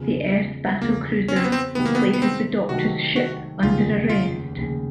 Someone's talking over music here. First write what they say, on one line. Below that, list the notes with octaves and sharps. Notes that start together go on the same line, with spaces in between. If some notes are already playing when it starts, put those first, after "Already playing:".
The Earth battlercruiser places the Doctor's ship under arrest.
Already playing: E2 C#3 F3
E2 C#3 F3 A#3
C#4
C4
B3
C4
C3 D#3 F#3 A3 B3 C4
A#3
B3
B3
C4
C3 D#3 F#3 A3 C4 F#4
F#4
F1 D#2 C#3 F4
F4
F1 D#2 C#3